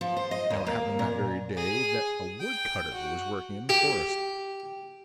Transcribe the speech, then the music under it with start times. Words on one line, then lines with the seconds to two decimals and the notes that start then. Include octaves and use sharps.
Now it happened that very day that a woodcutter was working in the forest.
0.01 F3
0.17 C5
0.31 D#5
0.50 D#2
0.67 A#3
0.99 A#2
1.56 G#4
2.41 G5
2.93 F#4
3.69 G4